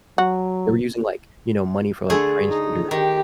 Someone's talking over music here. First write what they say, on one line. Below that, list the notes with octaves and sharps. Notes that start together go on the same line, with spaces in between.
they were using, like, you know, money for, like, transgender
F#3 F#4
D3 A3 G#4
D#4
D#3 G4